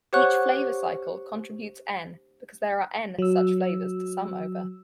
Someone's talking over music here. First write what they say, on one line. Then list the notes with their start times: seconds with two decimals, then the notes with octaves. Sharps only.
Each flavor cycle contributes N because there are N such flavors to sum over.
0.13 G4 C5 C#5 F#5 C#6 F#6
3.19 F#3 E6